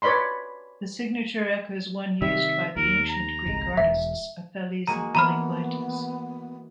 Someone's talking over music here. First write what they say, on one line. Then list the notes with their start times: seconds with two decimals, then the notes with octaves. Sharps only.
The signature echoes one used by the ancient Greek artists, Apelles and Polykleitos.
0.02 B4 C#5 D5 B5 C6
2.22 C3 D#3 G3 E5
2.77 D#2 A#4
3.09 A#5
3.46 G1 C2 G#3
3.77 E1 E5
4.87 G#3 A#3 F#4 G#4 A#5
5.15 E3 B3 A#5 B5 F6